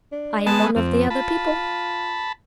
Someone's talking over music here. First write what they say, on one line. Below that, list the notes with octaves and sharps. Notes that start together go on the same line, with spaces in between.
I am one of the other people.
D4
G#3 B3 A5
F2 C4
F4 A5 B5